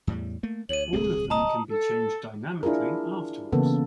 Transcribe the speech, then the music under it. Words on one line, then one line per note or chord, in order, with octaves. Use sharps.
All of them can be changed dynamically afterwards.
E2 A2 G3
A3 A#3
D2 C#5 D#7 F#7
D1 C2 C4 G#4
D#5 A5 A#5 D#6
A4
D4 E4 F4 G#4 A#4
C#3 E3 A#3 B3 A4